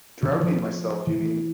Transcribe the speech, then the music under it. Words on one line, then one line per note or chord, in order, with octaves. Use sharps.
Drowning myself, you mean?
D3
E3
F3
E3